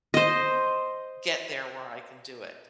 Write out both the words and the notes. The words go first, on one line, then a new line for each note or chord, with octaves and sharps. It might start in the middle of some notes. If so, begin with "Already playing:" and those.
get there where I can do it.
C5 D#5